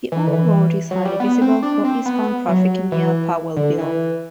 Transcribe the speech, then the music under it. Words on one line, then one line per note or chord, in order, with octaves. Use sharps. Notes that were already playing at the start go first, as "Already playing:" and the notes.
The old road is highly visible for eastbound traffic near Powellville.
E3
D3
E3
F#3
G3
B3
C4
D4
C4
B3
F#3
E3
D3
E3